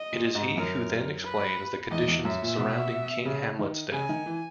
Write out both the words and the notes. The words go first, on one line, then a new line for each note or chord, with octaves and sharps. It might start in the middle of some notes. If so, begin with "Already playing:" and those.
It is he who then explains the conditions surrounding King Hamlet's death.
Already playing: D#5
A#2
G#2
F#2 A#4
B4
E2 D#5
E2
F#2 E5
A#2
B2
C#3
D#3
C#3 G#5
D#3
E3